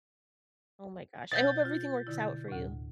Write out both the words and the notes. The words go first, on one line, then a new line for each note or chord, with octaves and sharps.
Oh, my gosh. I hope everything works out for you.
B2 C5 F#5 G6 A6
F4
B2 D3 E4
D2 A2